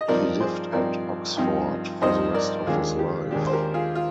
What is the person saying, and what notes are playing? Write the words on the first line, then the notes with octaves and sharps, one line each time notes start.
He lived at Oxford for the rest of his life.
D#5
G2 F3 C4 D#4 A#4 D5
G#4 C5
G2 F3 C4 D#4 A#4 D5
G2 F3 C4 D#4
G2 F3 C4 D#4 C5 D#5
A#4 D5
D#2 D#3 G#3 D4 F4 G#4
G4
D#2 D#3 G#3 D4 G4
C5
G4 A#4
F4 G#4
F4